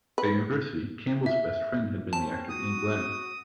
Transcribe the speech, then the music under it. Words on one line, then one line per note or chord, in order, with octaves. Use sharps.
At university, Campbell's best friend had been the actor Iain Glen.
B4
E5
C4 C#4 A5
F#4 D#6